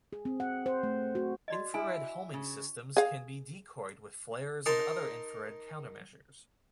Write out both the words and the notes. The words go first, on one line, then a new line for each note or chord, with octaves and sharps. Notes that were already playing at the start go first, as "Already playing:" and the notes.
Infrared homing systems can be decoyed with flares and other infrared countermeasures.
G#4
C4
F#5
C5
A3
F#4
F#4 D5 D#5
E4 G#5
C#3
G#4 F5
D#4 A#4 A5 C6